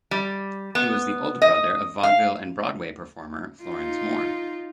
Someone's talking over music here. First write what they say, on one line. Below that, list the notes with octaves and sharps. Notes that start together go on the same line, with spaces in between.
He was the older brother of vaudeville and Broadway performer Florence Moore.
G3
B3
D#5
F5
D#4 F4